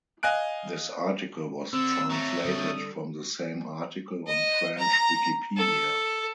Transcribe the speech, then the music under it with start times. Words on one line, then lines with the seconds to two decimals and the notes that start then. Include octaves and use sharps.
This article was translated from the same article on French Wikipedia.
0.23 D#5 F5 G#5 F#6 D7
1.73 D3 C4 E6
2.10 F#3 A3 A#5
2.45 D3 G3 A4 D#6
4.27 D#5
4.77 A#5
5.57 A4